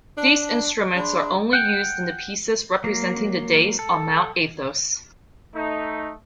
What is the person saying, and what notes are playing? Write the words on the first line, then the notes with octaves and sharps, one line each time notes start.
These instruments are only used in the pieces representing the days on Mount Athos.
D4 A5
D4 G#4 B5 C6
F#5 G5
F#3 A#3
A4
A3 D#4